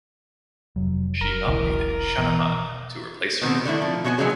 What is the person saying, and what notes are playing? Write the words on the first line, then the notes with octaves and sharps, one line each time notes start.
She nominated Shanahan to replace her.
F1 F#3
E1 A#4
B1 E2 E3
B2 E3
B2 D#3 B3 C4
D3 D#3 A3 E4
F3
B2 F#4 C#5 G#5
E3 F#3 G#3 A#3 C#4 G#4